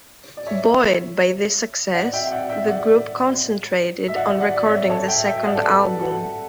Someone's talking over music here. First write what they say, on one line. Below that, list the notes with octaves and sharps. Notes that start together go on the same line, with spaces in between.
Buoyed by this success, the group concentrated on recording the second album.
D5
C#5 E5
D5 F#5
E5 G5
G5
D5 F#5
E5 G5
D5 F#5
E5
D5 F#5
D5 F#5
D5
C#5 E5
A4 C#5
E5 G5
E5 G5
D5 F#5
A4
G4 B4
F#4 A4